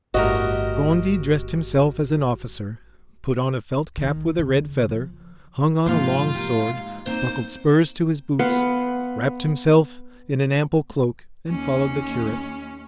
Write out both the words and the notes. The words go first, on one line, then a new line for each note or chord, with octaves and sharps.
Gondy dressed himself as an officer, put on a felt cap with a red feather, hung on a long sword, buckled spurs to his boots, wrapped himself in an ample cloak and followed the curate.
G1 A2 F#4 G4 A#4 D#5
D#3
C#3
F3
G#2 C3 F3 A#3 F5 C6
G4 A#4
G#2
A#3 C4 D#4 C5
B3 F5 F#5 C6
D#2 C#4